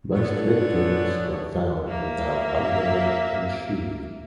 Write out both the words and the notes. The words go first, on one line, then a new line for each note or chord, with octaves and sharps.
Most victims were found without underwear and shoes.
D3 A3 B3 C#4 C#5 D5
A#3 E5